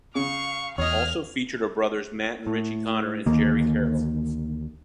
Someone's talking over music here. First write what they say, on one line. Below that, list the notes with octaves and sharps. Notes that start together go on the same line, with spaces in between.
Also featured are brothers Matt and Richie Connor and Gerry Carroll.
C#3 F5 C#6
E2 G#4 C#5 D#5 F6
A2
D2 D#3 A#3